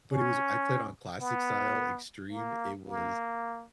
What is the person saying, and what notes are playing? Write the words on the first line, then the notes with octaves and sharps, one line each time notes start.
but it was I played on classic style extreme, it was
C#4
B3
A#3
A#3